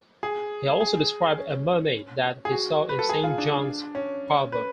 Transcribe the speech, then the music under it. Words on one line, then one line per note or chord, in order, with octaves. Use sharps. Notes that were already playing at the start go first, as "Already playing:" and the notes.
He also described a mermaid that he saw in Saint John's harbour.
G#4
G#4
C#4
G#4
F#4
B4
A4
G#4
F4
D4
C#4
B4